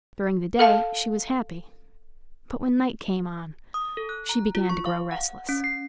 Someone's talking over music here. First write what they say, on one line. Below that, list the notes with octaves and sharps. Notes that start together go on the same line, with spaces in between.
During the day she was happy, but when night came on she began to grow restless.
A4 F5 A5
D#6
A4
F#6
A#5
F4
C#6
F5
F#5
C#4
C7